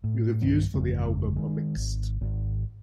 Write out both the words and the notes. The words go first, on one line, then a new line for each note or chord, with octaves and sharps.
Reviews for the album are mixed.
A2
B1 G2 D#3 B3
G1 F2 C#3 G#3
D#3 G#3
G#1
G#1